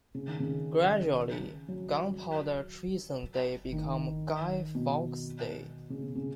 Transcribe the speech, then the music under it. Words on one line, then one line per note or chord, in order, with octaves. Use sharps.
Gradually, Gunpowder Treason Day became Guy Fawkes Day.
C#3
D#3
C#3
F#3
D#3
B2
C#3
B2
C#3